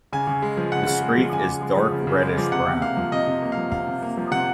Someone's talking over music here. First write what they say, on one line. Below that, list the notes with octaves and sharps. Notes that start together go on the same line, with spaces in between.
The streak is dark reddish brown.
C#3 G#5
C#3
G#3
F3
C#3 F#5
C#3
G#3
F3
C#3 G#5
C#3
G#3
F3
C#3
C#3
G#3
F3
C3 F#5
C3
A#3 F5
F3
C3 D#5
C3
A#3
F5
F3
C3 F5
C3
A#3
F3
C3 F#5